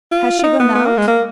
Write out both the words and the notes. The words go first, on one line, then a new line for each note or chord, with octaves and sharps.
Has she gone out?
F4
F4
D#4
B3
B3
A#3
G#3
A#3